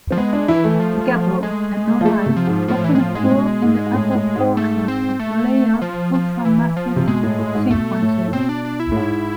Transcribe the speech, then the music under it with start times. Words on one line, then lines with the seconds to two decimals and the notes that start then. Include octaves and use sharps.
Gabbro and norite often occur in the upper portions of the layered ultramafic sequences.
0.10 F3 C4
0.17 G#3 B3
0.33 D4
0.48 E3 E4
0.64 A3
0.80 F3
1.43 G#3
2.01 F3
2.05 G#3 A3
2.26 C3
2.36 F3
2.47 G#2
2.68 A2 F3
2.84 E3
2.95 G#3
3.00 F3
3.15 G#2 G#3
3.24 A2
3.31 B2
3.62 G#2
3.86 G#2
3.93 A2
4.15 A2
4.36 G#2
4.57 A3
4.88 C4
5.19 A3
5.82 F3
6.14 F3
6.45 E3
6.77 F3
6.96 C3
7.07 B2 G#3
7.23 A2
7.39 A2
7.55 G#2
7.70 B2 A3
8.02 A2
8.28 A2
8.33 B2 C4
8.49 D4
8.65 D4
8.80 E4
8.92 A2
8.96 G#2